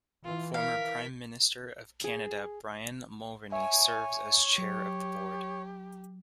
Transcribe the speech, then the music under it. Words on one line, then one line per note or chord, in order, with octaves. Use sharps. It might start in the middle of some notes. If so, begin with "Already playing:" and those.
Former Prime Minister of Canada Brian Mulroney serves as chair of the board.
E3 F4
A#4 F5 B6
G#4
C#5 E5 G#5
F#3 G4